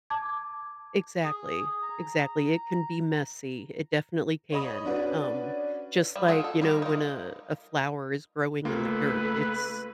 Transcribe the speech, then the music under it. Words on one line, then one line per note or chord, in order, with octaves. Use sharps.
Exactly, exactly, it can be messy, it definitely can, um, just like, you know, when a a flower is growing in the dirt, it's
A5 D6 G#6
G#4
A#5
C#5 D#5 B5 D#6
C#4 D4 F#4 B4 D5
F3 G3
F4 G#4 A4 F#5 G5
A4
G3 F4 G#4 A#4
D#4 F4
C#2 A3 A#3 F4 A4 B4